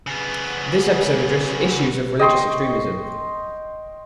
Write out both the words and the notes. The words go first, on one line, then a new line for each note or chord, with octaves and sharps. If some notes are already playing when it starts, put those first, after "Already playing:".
This episode addresses issues of religious extremism.
C#3 B3
D#5 G5 C6 C#6